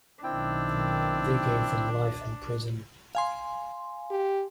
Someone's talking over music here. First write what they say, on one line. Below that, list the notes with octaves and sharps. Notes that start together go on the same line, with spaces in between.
They gave them life in prison.
B1 D#3 C4 D4 E4 G5
F5 G#5 C6
G4